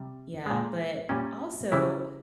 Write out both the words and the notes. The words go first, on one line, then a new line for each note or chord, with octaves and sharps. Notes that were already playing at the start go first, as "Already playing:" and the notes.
yeah. But also
Already playing: C3 G3
A#2 G#3
A#2 G3 C#4
C#3 E3 G3 E4